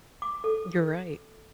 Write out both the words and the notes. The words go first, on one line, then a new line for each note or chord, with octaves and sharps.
You're right.
D6
A4